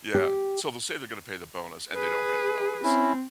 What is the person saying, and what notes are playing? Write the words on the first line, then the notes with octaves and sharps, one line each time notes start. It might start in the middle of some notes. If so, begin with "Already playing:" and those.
Yeah. So, they'll say they're gonna pay the bonus and they don't pay the bonus.
G4
G#4 B4
C4 C#4 E4